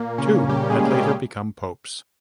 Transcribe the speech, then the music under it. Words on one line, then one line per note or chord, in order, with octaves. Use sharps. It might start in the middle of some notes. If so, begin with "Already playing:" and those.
Two had later become popes.
Already playing: A#2 A#3
C#3 C#4
G3 G4
G#3 G#4
G3 G4
G4